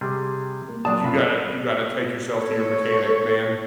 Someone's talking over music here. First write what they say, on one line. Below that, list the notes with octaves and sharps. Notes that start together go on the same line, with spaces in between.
you gotta you gotta take yourself to your mechanic, man.
C3 G3 G#4
A#3
A#2 F#3 D4 D5 A5 D#6
G2 F#3 F4 B5
A4 C#5